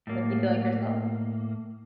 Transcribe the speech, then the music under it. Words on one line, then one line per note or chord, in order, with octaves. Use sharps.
that make you feel like yourself?
A2 A#3